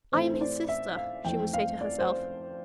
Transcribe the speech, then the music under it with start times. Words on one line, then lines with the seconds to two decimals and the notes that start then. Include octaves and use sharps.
"I am his sister," she would say to herself.
0.12 A2 E3 A3 C4 C5
0.34 C5
0.41 D5
0.69 E5
0.97 F5
1.24 F2 E3 A3 C4 G5
1.54 F5
1.81 D5
1.99 C5